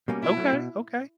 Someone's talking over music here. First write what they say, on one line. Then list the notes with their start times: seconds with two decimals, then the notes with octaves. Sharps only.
Okay, okay.
0.08 B2 G3 A#3 C#4
0.23 B2 E4
0.37 F#3 A3
0.53 B2